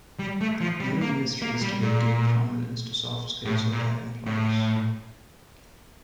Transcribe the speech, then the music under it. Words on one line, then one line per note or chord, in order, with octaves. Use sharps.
Many industries today give prominence to soft skills of their employees.
G3
A3
F3
G3
A#3
A#3
G3
A#2
A2
A#2
A2